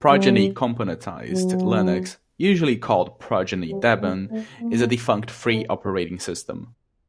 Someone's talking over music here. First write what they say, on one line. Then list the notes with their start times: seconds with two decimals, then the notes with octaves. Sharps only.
"Progeny Componentized Linux", usually called "Progeny Debian", is a defunct free operating system.
0.10 G3
1.31 F#3
3.70 G3
4.00 G#3
4.30 A3
4.61 A#3
5.50 A3